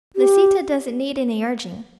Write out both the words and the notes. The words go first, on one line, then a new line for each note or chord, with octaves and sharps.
Lisita doesn't need any urging.
G4